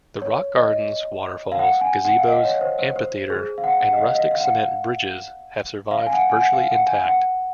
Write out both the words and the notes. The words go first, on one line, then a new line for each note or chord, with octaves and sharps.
The rock gardens, waterfalls, gazebos, amphitheater and rustic cement bridges have survived virtually intact.
C#5
D#5
F5
F#5
G#5
F#5
F5
D#5
C#5
C5
C5
C5
G#4
F5
F#5
F#5
D#5
F5
D#5
F5
F#5
F5
F5
G#5
F#5
G#5
F#5
F5
F#5
G#5
F#5